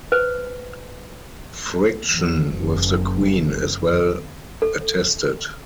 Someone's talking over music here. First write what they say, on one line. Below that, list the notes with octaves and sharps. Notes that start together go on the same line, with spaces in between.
Friction with the Queen is well attested.
B4 C5
E2
F#1
A4